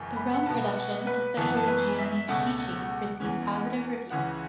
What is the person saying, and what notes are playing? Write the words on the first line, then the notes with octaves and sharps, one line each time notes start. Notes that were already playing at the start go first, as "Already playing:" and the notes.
The Rome production, especially "Gianni Schicchi", received positive reviews.
Already playing: F#1 F#2 E3
B5
F#5
B1 B2 B3 A5
F#5
B4
F#2 E3 B3 A5
F#5
A5
B4
E5
C#2 B2 A3 C#4 F#5
E2 E3 C#4
C#2 C#3 E3 C#4 F#5